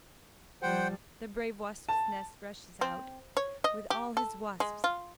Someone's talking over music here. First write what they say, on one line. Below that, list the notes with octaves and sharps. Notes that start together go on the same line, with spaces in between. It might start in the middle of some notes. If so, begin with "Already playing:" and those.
'The brave Wasp's-nest rushes out with all his wasps.
F3 G3 C5 F#5 G5
A5
C4
C#5
D#5
G4
A4
G#3
F4